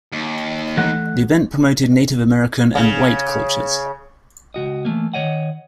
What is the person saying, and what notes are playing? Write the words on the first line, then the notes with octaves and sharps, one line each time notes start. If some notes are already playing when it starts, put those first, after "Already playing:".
The event promoted Native American and "White" cultures.
D#2
E3 A3 F#5
C#3
C#2 D#3 F#4 D#5
E3 A3 A#3
D#3 C#5 D#5 F#5